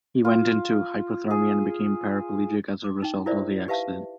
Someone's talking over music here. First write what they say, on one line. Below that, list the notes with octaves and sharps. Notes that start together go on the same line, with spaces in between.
He went into hypothermia and became paraplegic as a result of the accident.
F4
G#4
D6
D#4 G5
E4 F4 A#4 C5 D5 E5
G4 B4 E5 F5 A5